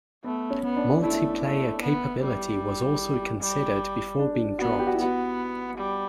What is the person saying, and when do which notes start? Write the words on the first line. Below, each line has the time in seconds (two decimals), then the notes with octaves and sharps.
Multiplayer capability was also considered before being dropped.
0.24 A3 B3
0.50 C#4
0.64 B3
0.77 D4
1.03 A3 E4
1.43 A3
1.82 B3
2.22 G3
3.40 G3
4.19 D4
4.59 B3 F#4
4.79 G4
4.87 F#4
4.94 E4
4.99 B3 F#4
5.78 G3